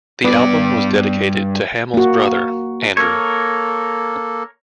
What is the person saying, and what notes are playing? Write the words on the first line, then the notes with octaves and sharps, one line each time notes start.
The album was dedicated to Hammill's brother, Andrew.
G2 B3 D5
A#3 F#4
A#3 A4 A#4 C#5